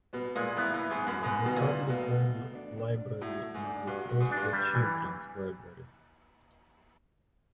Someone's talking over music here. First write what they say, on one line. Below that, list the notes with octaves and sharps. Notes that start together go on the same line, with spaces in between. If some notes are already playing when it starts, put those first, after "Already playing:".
The public library is the Saucier Children's Library.
B2 B3
A#2 G#3
A2 B3
A2
B3
G#2
B3
F#2
G#2 B3
B2 D#3
A#2
E4
B2 A3
F#4
A3
D4
D4
D4
A2 F#4
A3
G#2
D4
G2 F#4
F#4
G#2
D4
G2
G3
E3